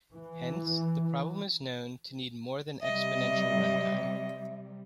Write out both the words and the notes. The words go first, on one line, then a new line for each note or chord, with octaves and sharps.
Hence, the problem is known to need more than exponential run time.
E3
C3 G3 D#5 E5